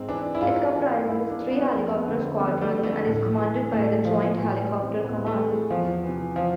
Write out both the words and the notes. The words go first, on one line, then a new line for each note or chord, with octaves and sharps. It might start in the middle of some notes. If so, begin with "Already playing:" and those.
It comprises three helicopter squadrons and is commanded by the Joint Helicopter Command.
Already playing: G#2 C4
E3 D4
E4
G#2 F4
E3
G#2 E4
D4
E3
B3
F2 G#3
B3
D3
C4
F2 B3
A3
D3
A3
A2
E3
A2 A3
E3 F3
A2 E3
E3
C4
A2 B3
A3
E3
G#3
E2 F3
C3 E3
F3